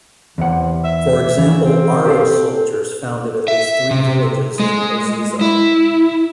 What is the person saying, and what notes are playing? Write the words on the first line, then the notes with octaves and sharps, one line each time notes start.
For example, Aro soldiers founded at least three villages in Ozizza.
E2 C3 F#5
E5
E3
C4
G4 A4 F5
E5
C3
G#3
E4